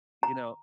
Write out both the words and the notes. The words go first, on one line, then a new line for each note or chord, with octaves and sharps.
you know
A#5